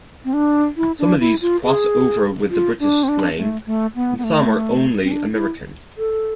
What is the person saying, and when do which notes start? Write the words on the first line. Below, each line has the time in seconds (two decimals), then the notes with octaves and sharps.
Some of these cross over with the British slang, and some are only American.
0.25 C4
0.33 D4
0.77 E4
0.99 D4
1.20 E4
1.42 F4
1.64 G#4
2.50 F4
2.80 D4
3.03 C4
3.08 D4
3.38 A3
3.66 A3
3.95 B3
4.18 B3
4.24 A3
5.03 C4
5.11 D4
5.33 E4
5.98 A4